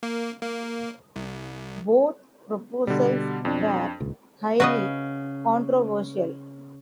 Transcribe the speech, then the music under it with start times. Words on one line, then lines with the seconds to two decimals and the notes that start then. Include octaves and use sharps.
Both proposals were highly controversial.
0.03 A#3
0.42 A#3
1.16 C2
2.87 B2 D3 G3
3.45 F2 D4
4.00 D#1 C#2
4.60 C#3 F#4 B4 D#5